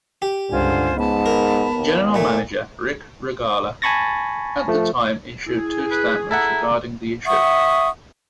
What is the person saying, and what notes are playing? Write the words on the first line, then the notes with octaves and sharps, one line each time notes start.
General manager Rick Rogala at the time issued two statements regarding the issue.
G4
C#2 G2 D3 F4 C5 G#5
G#2 B3 A5 B5
A#4
D#2
A#2 A3
G#5 A5 B5 C#6 A6 A#6
F3 A3
E4 G#4
B4
E4 A4 E5 F#5 A#5
E5 F#5 C#6 D#6